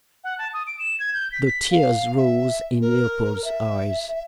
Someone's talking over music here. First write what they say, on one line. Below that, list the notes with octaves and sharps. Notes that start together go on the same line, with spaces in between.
The tears rose in Leopold's eyes.
F#5
A5
D#6
D7
E7
G#6
G6
B6
B6
F5
E5
A#4
E5